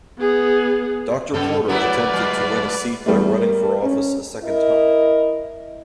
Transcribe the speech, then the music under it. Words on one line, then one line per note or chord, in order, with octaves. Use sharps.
Doctor Porter attempted to win a seat by running for office a second time.
B3 G#4
G2 C#3 G3 B3 A4
F#3 A3 B3 E4 F#4 B4 D5
F#3 G#3
E2 G3 A3
A#4
C#4
E4 A#4 D#5